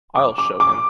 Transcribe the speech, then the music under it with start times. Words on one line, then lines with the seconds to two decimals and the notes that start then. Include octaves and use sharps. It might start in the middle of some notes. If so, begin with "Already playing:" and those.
I’ll show him.
0.16 D6
0.38 D6
0.60 D6